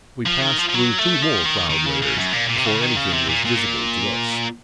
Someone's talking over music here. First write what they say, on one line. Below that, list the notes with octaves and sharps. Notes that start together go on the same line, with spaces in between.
We passed through two more cloud layers before anything was visible to us.
F3
D#3
F3
F3
F#3
A3
F3
D#3
D#3
C#3
C#3
F#2
A#2
A#2
C3
C#3
D#3
C#3
C3
A#2
A#2